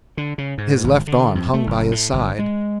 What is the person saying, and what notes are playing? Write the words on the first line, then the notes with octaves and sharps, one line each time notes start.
His left arm hung by his side.
D3
C#3
G#2
G#1
D3
F2
A3
F#1
A2
G1
G#3